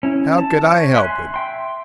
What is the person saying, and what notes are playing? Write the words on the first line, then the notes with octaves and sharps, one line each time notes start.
How could I help it?
C#4 E4
A5
C#5
E5 G#5 C6 F#6
E5 G5 C6